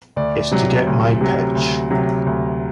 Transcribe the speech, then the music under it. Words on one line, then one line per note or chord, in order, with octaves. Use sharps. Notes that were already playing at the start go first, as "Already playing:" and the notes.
It's to get my pitch.
D2 D5
C3 F#3
D2
C3 F#3
D2
C3 F#3
D2